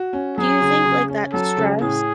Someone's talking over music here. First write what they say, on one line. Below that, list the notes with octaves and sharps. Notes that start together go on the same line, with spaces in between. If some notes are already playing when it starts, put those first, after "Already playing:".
Do you think, like, that stress
Already playing: F#4
C#4
F#3 G#4
C#3
C#3
C#4
F#3 A4
C#3
A2 G#4